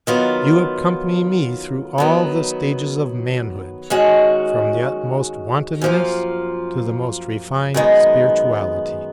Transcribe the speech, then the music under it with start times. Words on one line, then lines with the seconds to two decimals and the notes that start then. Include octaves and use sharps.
You accompany me through all the stages of manhood, from the utmost wantonness to the most refined spirituality.
0.07 D#3 F#3 B3 F4
1.98 D#3 F#3 B3
3.90 D#3 G#3 C#4 F#4
5.81 F#2 F3 A#3 F4
7.74 F#2 D#3 G#3 B3